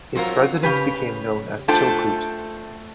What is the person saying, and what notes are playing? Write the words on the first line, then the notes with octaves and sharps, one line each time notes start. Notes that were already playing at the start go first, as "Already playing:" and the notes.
Its residents became known as "Chilkoot".
F#3 C4 F4 A#4
C#3 G4 B4
A3 D4 F4 A4 C5 G5